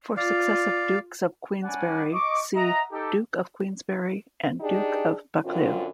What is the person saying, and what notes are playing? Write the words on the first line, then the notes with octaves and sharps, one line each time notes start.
"For successive Dukes of Queensberry see" Duke of Queensberry "and" Duke of Buccleuch.
F4 D5 F5
G3 C#4 D4 D5 F#5 G#5
D#5 C#6 D6
D#5 E5 F#5 A#5
D#4 G4 A4
D4 D#4 G4 G#4
F#2 D3 C4 F4